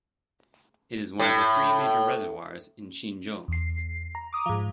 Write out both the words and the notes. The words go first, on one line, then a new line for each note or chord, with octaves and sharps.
It is one of the three major reservoirs in Xinzhou.
A2
E2 C7
A#5
D6 D#6
G#2 F3